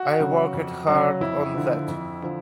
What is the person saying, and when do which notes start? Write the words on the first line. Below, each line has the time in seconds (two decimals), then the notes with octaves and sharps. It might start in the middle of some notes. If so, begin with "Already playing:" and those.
I worked hard on that!
Already playing: F#4
0.20 C#3 F#3
0.54 F2
0.88 C#3 F#3
1.20 F2 E4
1.54 D3 F3
1.88 F2
2.22 D3 F3